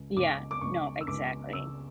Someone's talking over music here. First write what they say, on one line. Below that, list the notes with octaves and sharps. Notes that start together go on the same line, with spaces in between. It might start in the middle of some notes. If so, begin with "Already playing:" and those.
Yeah, no, exactly.
Already playing: C#2
C#2 D6
D6
C#2 C#6
E6
C#2 D6
C#3 E6